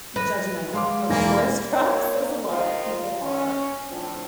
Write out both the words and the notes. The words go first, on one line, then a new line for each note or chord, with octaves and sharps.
judgmental of tourist traps as a lot of people are.
B4 F#6 A#6
G#3 F5 C6 D6
E1 E3 A#3 G#5 A#6
A#3 C#5
D#3 F4 C5
C#4
A2 F3 C4 D4 F4